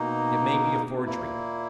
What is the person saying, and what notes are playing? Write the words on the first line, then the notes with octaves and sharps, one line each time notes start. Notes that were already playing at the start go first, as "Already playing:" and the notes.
It may be a forgery.
Already playing: B2 A#3 D#4
A#2 A#3 E4